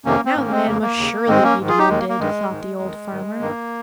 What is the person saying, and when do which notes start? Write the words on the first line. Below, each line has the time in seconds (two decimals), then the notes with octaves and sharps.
"Now, the man must surely be demented!" thought the old farmer.
0.05 F2 C3 D#3 A#3 C#4
0.25 C4
0.36 G#2 D#3 A#3 C#4
0.51 G#3 C4
0.66 F2 C#3 A#3
0.82 A#3
0.97 D#2 C#3
1.27 G#2 D#3 G#3 C4
1.43 A#3 C#4
1.59 G#2 D#3
1.68 F4 G#4
1.78 D#4 G4
1.88 D#2 D#3 G#3
1.99 A#3
2.09 A#3
2.19 G2 D#3 G#3
2.50 G#2 D#3
2.80 F2 D#3
3.11 G#2 D#3
3.41 G2 D#3 A#3